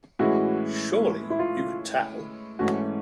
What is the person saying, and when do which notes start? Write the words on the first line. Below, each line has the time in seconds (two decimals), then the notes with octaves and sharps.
Surely you could tell?
0.19 A2 E3 G#3 C#4 E4 F#4
1.30 E4
1.39 F4
2.59 G#2 E3 A3 C#4 F#4